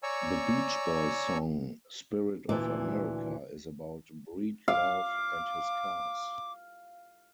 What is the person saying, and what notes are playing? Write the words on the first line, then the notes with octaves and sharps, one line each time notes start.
The Beach Boys song "Spirit of America" is about Breedlove and his cars.
C#5 D5 G#5 A#5 C#6 E6
D2 A#2 E3 D5
F5 D6